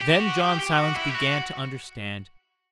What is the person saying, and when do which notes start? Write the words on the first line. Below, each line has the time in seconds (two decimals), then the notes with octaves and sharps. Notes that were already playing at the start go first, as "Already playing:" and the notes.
Then John Silence began to understand.
0.01 G4
0.20 F#4
0.40 G4
0.59 G4
0.78 F#4
0.96 E4
1.09 G4
1.15 F#4